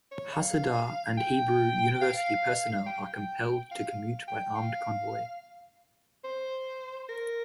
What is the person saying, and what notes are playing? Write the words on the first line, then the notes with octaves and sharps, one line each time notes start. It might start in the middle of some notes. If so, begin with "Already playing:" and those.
Hadassah and Hebrew University personnel are compelled to commute by armed convoy.
C#5
F5
G5
F5
G5
F5
G5
F5
C5
A#4